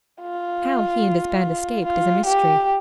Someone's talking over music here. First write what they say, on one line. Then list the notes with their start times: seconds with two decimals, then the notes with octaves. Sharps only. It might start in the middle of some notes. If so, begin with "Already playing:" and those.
How he and his band escaped is a mystery.
0.21 F4
1.85 F4
2.25 G4